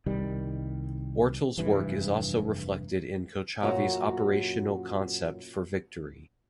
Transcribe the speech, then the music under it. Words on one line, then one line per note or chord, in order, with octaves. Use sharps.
Ortal’s work is also reflected in Kochavi’s Operational Concept for Victory.
C2 D#3 G3
F1 G2 E3
F#2 A#2 F#4 A#5